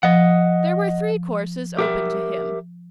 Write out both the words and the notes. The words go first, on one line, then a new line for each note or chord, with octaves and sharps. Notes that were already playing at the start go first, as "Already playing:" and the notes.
There were three courses open to him.
F3 D#5 F#5
G4 A#4 E5